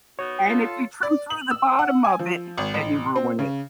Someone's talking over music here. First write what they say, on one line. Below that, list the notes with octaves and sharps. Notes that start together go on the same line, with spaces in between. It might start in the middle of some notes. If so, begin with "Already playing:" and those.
And if you trim through the bottom of it then you ruin it,
B2 D#4 F#4 C#5
F4 A4
D5
F#7
E6
F#5
G#5
F3
G#1
A1
C4
C#3